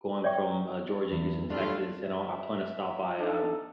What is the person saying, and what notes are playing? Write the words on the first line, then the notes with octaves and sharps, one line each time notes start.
going from, uh, Georgia to Houston, Texas, and I'll I plan to stop by, um,
C#5 D5 E5 G5 C#6
E2
G3 A3 D4 F4
E5
D4 D#4 A4